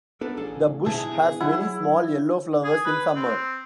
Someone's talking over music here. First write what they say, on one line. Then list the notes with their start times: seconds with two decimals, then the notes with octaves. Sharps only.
The bush has many small yellow flowers in summer.
0.21 B3 D4 A4 A#4
0.37 A1 G#4 A4
0.86 G2 B2 D3 E4 G#4 E5 A5
1.41 F#3 E4 F#5
2.64 G#4
2.85 B4
3.16 C4